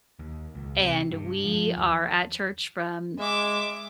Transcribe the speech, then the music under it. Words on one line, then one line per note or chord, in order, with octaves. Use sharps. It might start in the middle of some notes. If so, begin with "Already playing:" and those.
and we are at church from
D#2
C#2
C3
G2
F3
D#2
G#3 E5 D6